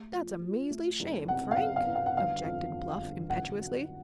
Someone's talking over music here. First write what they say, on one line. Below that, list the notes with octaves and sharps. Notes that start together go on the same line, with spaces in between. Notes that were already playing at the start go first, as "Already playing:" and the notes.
"That's a measly shame, Frank!" objected Bluff impetuously.
Already playing: A3
F3
F3
A3
F#1
C3 F#5
F5
F#1 F#5
F5
E2
F5
F#5
G1 F5
F2
F2
G1
A1 F#5
F#3